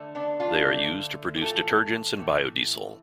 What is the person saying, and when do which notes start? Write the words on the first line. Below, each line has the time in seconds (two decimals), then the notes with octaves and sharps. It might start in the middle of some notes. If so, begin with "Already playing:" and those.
They are used to produce detergents and biodiesel.
Already playing: D3 A3
0.15 B3 D4
0.40 D4 F4
0.65 D3 A3
1.36 G4
1.41 A2 E3 A3 F4 A4
2.18 A2 E3 A3